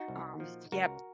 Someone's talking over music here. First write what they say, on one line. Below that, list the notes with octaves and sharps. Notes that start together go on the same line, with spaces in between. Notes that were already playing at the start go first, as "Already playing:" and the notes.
Um, yep,
Already playing: D#4 F#4
C2
A#2 F3
C#2 F#4 A#4